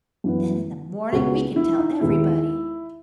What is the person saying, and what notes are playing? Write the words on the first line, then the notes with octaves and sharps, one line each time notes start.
"Then in the morning we can tell everybody."
F#2 E3 B3
C#2 C#3 G#3 B3 F#4
E4
D#4
D#2 D#3 G#3 B3 E4